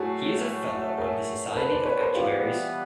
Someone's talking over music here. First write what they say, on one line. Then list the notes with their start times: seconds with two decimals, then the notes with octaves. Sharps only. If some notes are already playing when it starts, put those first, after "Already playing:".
He is a fellow of the Society of Actuaries.
Already playing: A2 F#3 A3 F#4 G#4
0.98 G#4 A#4
1.52 A#4
1.57 A4 B4
1.71 C5 D5
1.85 B4 C#5
2.00 A#4 C5
2.15 E3 G3 B3 F4 G4